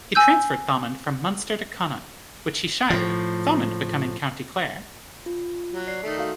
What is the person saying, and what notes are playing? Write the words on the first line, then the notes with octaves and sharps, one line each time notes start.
He transferred Thomond from Munster to Connaught, which he shired, Thomond becoming County Clare.
G#5 E6 G6
A2 F3
F4
F#3
D5 C7
D#3 A3
F#4 F5